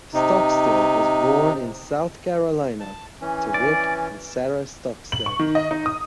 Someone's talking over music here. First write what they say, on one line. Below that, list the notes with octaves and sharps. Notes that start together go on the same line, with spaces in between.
Stockstill was born in South Carolina to Rick and Sara Stockstill.
C3 D#4
A5
E3 C#4
D5
F#7
C#6
D#3
D#5
D#4
D#6